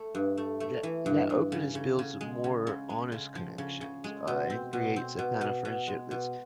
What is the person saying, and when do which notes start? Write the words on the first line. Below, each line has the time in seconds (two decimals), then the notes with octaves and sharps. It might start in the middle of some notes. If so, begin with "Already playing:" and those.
that that openness builds more honest connections, uh, and creates a kinda friendship that's
Already playing: A3
0.15 G2
0.37 A3
0.60 A3
0.83 E3
1.06 G2
1.30 G2
1.52 C#3
1.75 C#3
1.99 C#3
2.21 G#3
2.44 C#3
2.67 C#3
2.90 G#3
3.12 C#3
3.35 F3
3.58 C#3
3.81 C#3
4.04 G#3
4.27 B2
4.50 C4
4.73 B2
4.96 C4
5.19 B2
5.41 B2
5.65 B2
5.87 G#3
6.11 B2